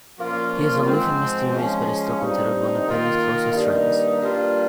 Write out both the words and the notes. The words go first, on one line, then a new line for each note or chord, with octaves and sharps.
He is aloof and mysterious but is still considered one of Benny's closest friends.
A#2 F3 A#3 C#4 F4
G#2 F3 G#3 C4
F3 G#3 C#4
G2 G3 C4 D#4
D#3 A#3 F4
G2 D#3 G3 A#3 D#4
G2 G3 A#3 F4